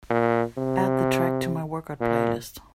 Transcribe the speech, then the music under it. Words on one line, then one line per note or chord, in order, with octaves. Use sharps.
Add the track to my workout playlist.
A#2
C3
A#2